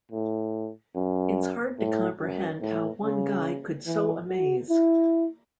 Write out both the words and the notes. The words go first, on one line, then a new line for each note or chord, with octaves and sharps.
It's hard to comprehend how one guy could so amaze.
A2
F#2
A2
F#2
A2
C#3
E3
F#4
E4